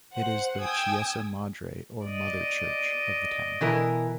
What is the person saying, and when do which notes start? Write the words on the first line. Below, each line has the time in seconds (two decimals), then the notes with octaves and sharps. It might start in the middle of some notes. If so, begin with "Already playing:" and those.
It is the "Chiesa Madre" or Mother Church of the town.
0.14 C5 F#5
0.59 G5 G#5 D#6 E6 G#6
2.06 D5 D#5
3.61 B2 E3 A#4